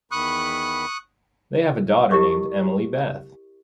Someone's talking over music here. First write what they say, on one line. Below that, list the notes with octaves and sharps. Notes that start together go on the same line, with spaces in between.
They have a daughter named Emily Beth.
E2 D#3 B5 C#6 D#6 F#6
E4 G4 A#4 D#5 C#6 D6